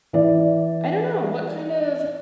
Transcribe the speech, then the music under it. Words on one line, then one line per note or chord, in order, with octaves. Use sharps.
I don't know, what kind of
E3 D5